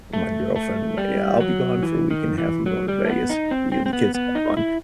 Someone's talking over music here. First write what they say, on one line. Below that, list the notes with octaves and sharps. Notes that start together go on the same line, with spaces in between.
my girlfriend, like, "Yeah, I'll be gone for a week and a half, I'm going to Vegas. You and the kids have fun."
A3
A3
G3
F#3
E3
D#3
E3
F#3
G3
A3
B3
D#4
C4
C4
C4
B3
B3
D#4
E4